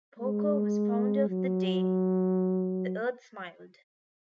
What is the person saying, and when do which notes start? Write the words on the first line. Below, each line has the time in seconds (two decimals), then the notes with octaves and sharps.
Porco was founder of The Day the Earth Smiled.
0.19 G#3
1.29 F#3